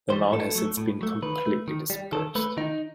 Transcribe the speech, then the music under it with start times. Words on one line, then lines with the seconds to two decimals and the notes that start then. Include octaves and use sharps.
The mound has since been completely dispersed.
0.10 E3 G3 C5
0.33 A2 A4
0.55 F#3 A3
0.77 A2
1.01 F#3 A3
1.22 D#3 B4
1.46 A3
1.68 D#3
1.90 G3
2.12 D#3 A4
2.35 A3 B4
2.57 D#3 D#4